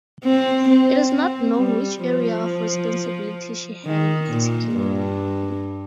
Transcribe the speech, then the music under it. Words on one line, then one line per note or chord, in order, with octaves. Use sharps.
It is not known which area of responsibility she had in particular.
C4
C4
C4
G3
F3
D#3
A#2
G2